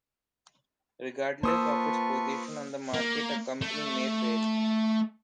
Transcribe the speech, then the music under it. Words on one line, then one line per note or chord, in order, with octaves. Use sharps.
Regardless of its position on the market, a company may fail.
A#3 F4 B4 C5 A5 C#6 D#6 E6
A#3
A3